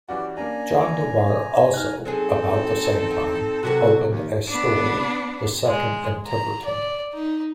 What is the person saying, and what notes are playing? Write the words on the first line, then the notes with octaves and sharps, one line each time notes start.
John Dewar, also, about the same time, opened a store, the second in Tiverton.
E3 G3 C#4 F#4 D5
A#3 D4 G#5 A#5
D#4 F6 F#6
F#3 C4 C#4 D#4 G#4 A4
C3 F#3 B3 C4 F#4 A4
D#2
B3 D4
G#3
A#5
D5
D#4